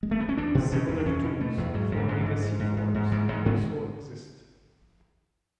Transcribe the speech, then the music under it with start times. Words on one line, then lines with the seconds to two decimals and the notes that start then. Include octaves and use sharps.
Similar tools for legacy forms also exist.
0.03 G#3
0.11 A3
0.20 B3
0.29 C#4
0.38 E2 D4
0.55 B2
0.72 B2 C#4
0.88 E2
1.00 D4
1.06 E2 C#4
1.22 B2
1.40 B2 A3
1.58 E2
1.74 G#2 F#3
1.92 G#2
1.97 D3
2.09 G#2
2.21 E3
2.26 G#2
2.43 G#2
2.60 G#2
2.77 G#2
2.95 G#2
3.12 G#2 E3
3.28 G#2 G#3
3.46 G#2 B3
3.55 G#3